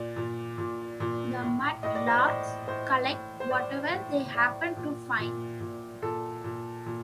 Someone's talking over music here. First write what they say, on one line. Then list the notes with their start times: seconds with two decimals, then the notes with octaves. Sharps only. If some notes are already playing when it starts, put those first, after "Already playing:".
The mud-larks collect whatever they happen to find.
Already playing: A#2 D5
0.16 A#2
0.58 A#2
1.00 A#2
1.42 A2
1.83 A2 D#5
1.95 D5
2.07 C5
2.19 D5
2.25 A2
2.67 A2 C5
3.10 A2
3.40 C5
3.51 A2 D5
3.93 A2
4.34 A2 D5
4.77 A#2
5.19 A#2
5.60 A#2
6.02 A#2 A4
6.44 A#2
6.86 A#2